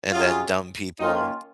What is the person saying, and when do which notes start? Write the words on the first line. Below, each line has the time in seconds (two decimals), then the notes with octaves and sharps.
and then dumb people
0.11 C3 F#3 C#4 F4 G#4
0.99 D#3 A#3 C#4 D#4 F4